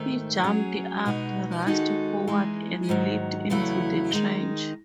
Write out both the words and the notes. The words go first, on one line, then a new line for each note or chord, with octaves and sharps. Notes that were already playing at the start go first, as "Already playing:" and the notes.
He jumped up, rushed forward and leapt into the trench.
Already playing: G#2 D#3 A3
F#3 C#4 G#4
B2 G#3 D#4 F#4
D#3 G#3 D#4 F#4 A4
E3 G#3 D#4
G#2 D#3 F#3
E2 C#3 F#3 A3 E4
D#3 G#3 D#4